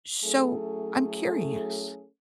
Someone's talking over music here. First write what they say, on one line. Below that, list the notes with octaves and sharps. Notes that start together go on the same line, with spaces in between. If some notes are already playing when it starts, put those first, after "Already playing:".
So, I'm curious,
F#3 A3 C#4 E4 G#4 A4